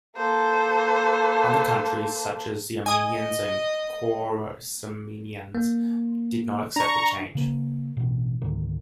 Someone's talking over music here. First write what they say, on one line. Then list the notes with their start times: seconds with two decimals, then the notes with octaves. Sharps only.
Other countries, such as the Armenians and Choresmians, did not accept the change.
0.17 A#3 A4 C5
2.86 D#5 G#5 D#6
5.55 A#3
6.76 D4 A#5 C#6
7.35 C#3 A#3
7.97 A1 B2
8.42 C#2 G#2 D3 D#3